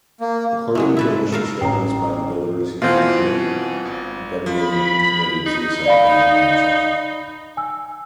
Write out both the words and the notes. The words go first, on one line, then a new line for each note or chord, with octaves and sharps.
According to initial statements by the Belarusian government, Bebenin committed suicide by hanging himself.
A#3
F#3 G#3 A3 E4
E4 A4 B4 E6
A4 A#4 F5
A1 G5 A#5 C7
B2 E3 C4 F4
G#1
F3 B5
D#4
D5 F5 B5
G#5 E6